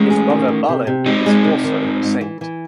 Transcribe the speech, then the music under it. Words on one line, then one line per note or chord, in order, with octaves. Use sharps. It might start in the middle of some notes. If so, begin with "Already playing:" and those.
His brother Balin is also a saint.
Already playing: G#3 A3 C#4
G#4
D#3
D#3
C3
C3
G#3 C4 D#4
G#3
C3
D#3
G#2
G#2
E3
E3